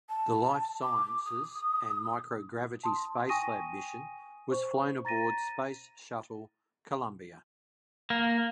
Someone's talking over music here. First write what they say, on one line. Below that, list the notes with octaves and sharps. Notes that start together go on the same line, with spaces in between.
The Life Sciences and Microgravity Spacelab mission was flown aboard Space Shuttle "Columbia".
A5
D6
D#6
A5 C6 D#6
G5 G#5 C#6 D#6 A#6 D#7
C5 C#6
A#5 A6 A#6 D#7
A#3